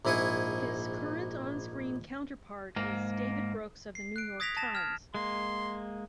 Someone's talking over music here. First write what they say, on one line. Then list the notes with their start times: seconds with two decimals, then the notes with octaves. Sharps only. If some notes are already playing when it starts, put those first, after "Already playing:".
His current on-screen counterpart is David Brooks of "The New York Times".
0.05 A#1 G#2 E4 G#4 G#5 C#6
2.76 G#2 A#3
3.95 C7
4.16 F#6 D7
4.40 D#6 G#6 A#6 B6 D7 F7
4.57 A5 A6 A#6 E7
4.75 F6 G#6
5.14 G#3 A#3 C6